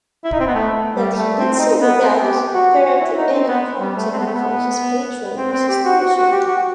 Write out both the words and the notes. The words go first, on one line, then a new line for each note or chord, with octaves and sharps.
That he did so without, apparently, any prompting from his patron is astonishing.
E4
D#4
C4
B3
A3
G3
A3
C4
C4
D#4
B3
C4
G4
F#4
F#4
E4
D#4
C4
B3
G3
A3
C4
B3
A3
B3
C4
C4
G4
F#4
F#4
F#4
G4
F#4